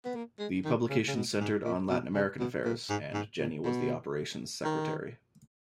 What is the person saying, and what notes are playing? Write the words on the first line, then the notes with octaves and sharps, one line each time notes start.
The publication centered on Latin American affairs, and Jenny was the operations Secretary.
B3
A#3
G#3
D#3
C#3
C#3
B2
G#2
A#2
B2
C#3
B2
A#2
G#2
G#2
A#2
B2
D#3